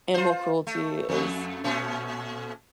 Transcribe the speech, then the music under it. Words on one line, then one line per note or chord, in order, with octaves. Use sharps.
animal cruelty is
F4 C5
A3
F2 A3
A#2 A3 C#4